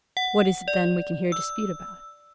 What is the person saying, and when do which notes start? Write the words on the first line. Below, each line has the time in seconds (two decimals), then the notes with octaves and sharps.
What is it then we can here dispute about?
0.17 F#5
0.68 D5
1.32 E6